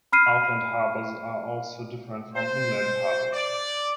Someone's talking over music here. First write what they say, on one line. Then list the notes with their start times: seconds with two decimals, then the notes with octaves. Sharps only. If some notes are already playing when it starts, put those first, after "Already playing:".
Outland harbors are also different from inland harbors.
0.13 B5 F6 C7 D#7
2.35 C5
3.33 D5